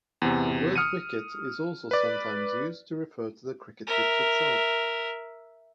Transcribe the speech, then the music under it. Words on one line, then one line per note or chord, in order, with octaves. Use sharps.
The word "wicket" is also sometimes used to refer to the cricket pitch itself.
E2 C3
D#6 F6 C#7 D#7
B4 D5
A#4 E5